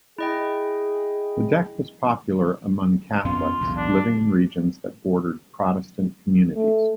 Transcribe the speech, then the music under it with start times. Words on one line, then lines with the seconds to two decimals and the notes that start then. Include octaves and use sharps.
This deck was popular among Catholics living in regions that bordered Protestant communities.
0.18 E4 G#4 D#5 G5
3.25 F2 B3 C#4 F4
3.61 B1 E2 A2
3.77 D4
6.56 A3